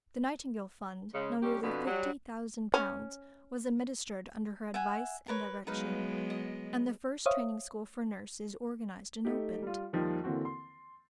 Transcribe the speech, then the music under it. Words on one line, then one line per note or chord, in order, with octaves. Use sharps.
The Nightingale fund, now nearly fifty thousand pounds, was administered under her advice and direction, and the first Training School for Nurses organized and opened.
C#3 G#3
C3 G3 C#4 G4
F2 B2 D3
F#3 G3
C#4
E5 F#5 G#5
A#4 B4 C#5
F#3 G#3 B3 D#4 B4 F5
D#5
C5 C#5 E5 F5 D#6
A3 D#4 G4
G3 F4
D#2 D#3 F3 G3
D3 E3 A#3 C4 F#4
C6